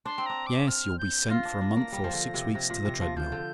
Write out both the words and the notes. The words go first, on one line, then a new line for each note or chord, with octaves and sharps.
Yes, you'll be sent for a month or six weeks to the treadmill.
D4 C6
C4
D4 A#5
D6
F6
G6
F4 A#6
D4
D4
A#3
G3
F3
D3
C3
C3 A#6
A#2
C3
F3
F3 G6
D3